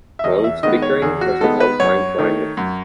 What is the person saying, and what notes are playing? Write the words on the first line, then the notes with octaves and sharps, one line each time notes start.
Mount Pickering has an alpine climate.
E5
E2 D#5
E5
D#3 G#3 B3 D#5
C#5
E2 G#4
F#4
D#3 G#3 B3 A4
B4
F#2 C#5
D#3 A3
F#2